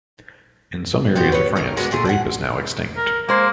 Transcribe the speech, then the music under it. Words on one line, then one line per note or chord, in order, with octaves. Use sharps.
In some areas of France the grape is now extinct.
B3 C4 F#4 G4
B4 C#5
C#4 D#4 A#4
G#3 A#3 B3 F#4
A#2 A3 F4 G#4
D4 G#4 F#5
A#4
G#3 A#3 C5